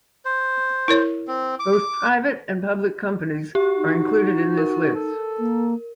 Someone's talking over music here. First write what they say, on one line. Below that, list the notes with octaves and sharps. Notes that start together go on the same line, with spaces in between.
Both private and public companies are included in this list.
C5
E4 A#4 C#5
C4
D6
F#4 G4
D#4
A#4
A4
A#3